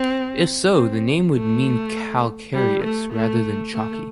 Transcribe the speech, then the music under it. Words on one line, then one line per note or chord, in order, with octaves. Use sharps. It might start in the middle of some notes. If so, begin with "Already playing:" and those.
If so, the name would mean 'calcareous' rather than 'chalky'.
Already playing: C4
C4
A3
G3
A3
A3
A3